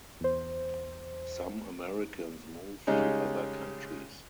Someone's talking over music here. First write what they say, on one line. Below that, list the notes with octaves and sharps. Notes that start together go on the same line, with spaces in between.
Some Americans move to other countries.
E2 C5
C#3 G3 G#3 C#4 D#4